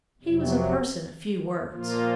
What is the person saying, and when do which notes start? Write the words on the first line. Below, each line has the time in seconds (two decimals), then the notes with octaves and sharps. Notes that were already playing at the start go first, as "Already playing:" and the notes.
He was a person of few words.
0.22 F2 C3 F#3
1.72 A#2 F3 A#3 F4